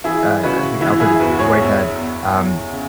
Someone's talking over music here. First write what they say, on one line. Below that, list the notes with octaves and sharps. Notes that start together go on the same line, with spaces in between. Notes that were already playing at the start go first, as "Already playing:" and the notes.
uh, I think, Alfred Whitehead, um,
E3 E4 G#4
C#3 F#4 B4
E3 E4
E4 G#4
E2 F#4 B4
G#4 C#5
E2
E2
E2
C#3